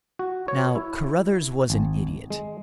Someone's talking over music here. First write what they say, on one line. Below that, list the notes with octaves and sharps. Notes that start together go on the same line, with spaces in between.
Now, Carruthers was an idiot.
F#4
C#5
E4
G#1
G#3